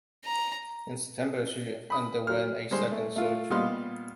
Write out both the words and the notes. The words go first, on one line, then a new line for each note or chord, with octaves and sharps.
In September, she underwent a second surgery.
A#5
B5 D#6
F#3 F6
G3 G#3 C5
A3
A3 F4
A#2 G3 B3 D#5 F5 C6